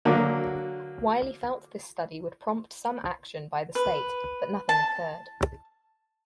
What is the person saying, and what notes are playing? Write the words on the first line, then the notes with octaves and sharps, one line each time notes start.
Wiley felt this study would prompt some action by the state but nothing occurred.
D3 F#3 A#3
B4
A5